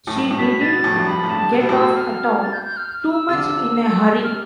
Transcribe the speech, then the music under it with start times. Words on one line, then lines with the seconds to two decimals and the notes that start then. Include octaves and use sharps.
She didn't get off at all—too much in a hurry.
0.07 A2
0.16 G2
0.30 A2
0.38 B2 B6
0.61 B2 A6
0.73 B2
0.84 A2
0.91 F2
0.96 G2
1.07 F2 B5
1.23 A2
1.29 G2 A5
1.52 C3
1.61 B2
1.69 A2
1.74 B2 E6
1.97 F6
2.43 A6
2.53 G6
2.65 G6
2.77 F6
2.88 F6
3.11 E6
3.28 C3
3.33 D3
4.24 C3 F6